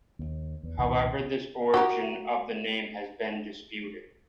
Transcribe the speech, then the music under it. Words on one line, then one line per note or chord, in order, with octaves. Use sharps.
However this origin of the name has been disputed.
D#2
E2
F#1 C2 A#2 D#3
F#4 G4 A#4